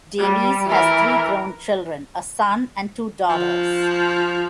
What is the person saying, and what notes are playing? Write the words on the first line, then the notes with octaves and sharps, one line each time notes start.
Davies has three grown children, a son and two daughters.
G3
E3 A#4
F3